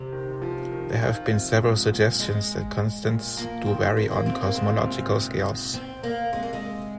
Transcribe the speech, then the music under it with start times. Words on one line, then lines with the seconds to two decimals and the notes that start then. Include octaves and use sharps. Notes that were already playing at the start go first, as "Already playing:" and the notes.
There have been several suggestions that "constants" do vary on cosmological scales.
Already playing: C3
0.12 D#3
0.42 F3
0.72 D#3
1.01 D#3 F3
1.31 C3
1.60 G#2
1.90 A#2
2.20 G#3
3.08 A#2
3.37 F3 A#3
3.66 D#3 C4
3.96 C3 A#3
4.11 A#3
4.26 C3 C4
4.41 A#3
4.55 G#2 C4
4.80 C3
4.85 A#2
5.74 C4
6.03 A#3
6.32 C3 G#3
6.43 A#3
6.53 G#3